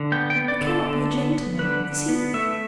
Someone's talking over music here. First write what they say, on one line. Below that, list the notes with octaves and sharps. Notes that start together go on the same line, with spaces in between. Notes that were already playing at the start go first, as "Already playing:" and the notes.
He cannot be a gentleman--is he?'
Already playing: D3
B3 G5
G5
B3
D5
D3
A4
D3
B3
B3
D3 B4
D3
B3
A3 E5